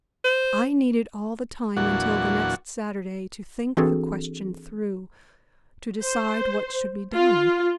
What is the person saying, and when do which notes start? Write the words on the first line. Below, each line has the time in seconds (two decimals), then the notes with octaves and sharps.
I needed all the time until the next Saturday to think the question through, to decide what should be done.
0.24 C5
1.77 E2 A#2 F#3 D4 F#4 F#5
3.77 E3 C4 D4 F#4 G#4 A4
6.01 C5
7.14 F4